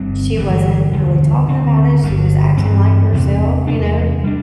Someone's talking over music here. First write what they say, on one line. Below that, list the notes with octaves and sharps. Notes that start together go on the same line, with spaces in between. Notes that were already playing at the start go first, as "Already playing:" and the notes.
she wasn't really talking about it, she was acting like herself, you know?
Already playing: G1 G2 G3 C4
G1 G2 E3
E1 D2 D3 G3
D2 D3 C4
G1 G2 D3
G2 E3 C4
E2 C3 E3 C4
E2 C3 A3 D4
G3 D4